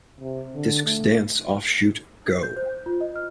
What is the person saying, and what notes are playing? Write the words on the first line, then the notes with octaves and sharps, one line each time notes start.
Discs' dance offshoot Go!
C3
D3
A3
G6
C5
F4
D#5
F6